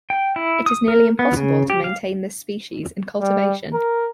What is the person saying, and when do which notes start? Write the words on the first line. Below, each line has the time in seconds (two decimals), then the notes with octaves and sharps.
It is nearly impossible to maintain this species in cultivation.
0.10 G5
0.36 E4
0.66 D#6
0.88 A#4
1.19 B3
1.37 C#3
1.70 G4
1.84 F5
3.21 G3
3.74 A#4